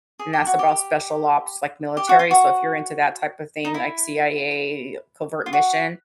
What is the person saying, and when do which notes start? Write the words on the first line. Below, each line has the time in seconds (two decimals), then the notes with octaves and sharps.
and that's about special ops like military, so if you're into that type of thing, like CIA covert mission,
0.19 G#4
0.33 G4
0.47 F#4
0.59 G4
1.97 G4
2.09 F#4
2.19 F4
2.31 F#4
3.65 D#4
3.74 E4
5.46 F4
5.53 F#4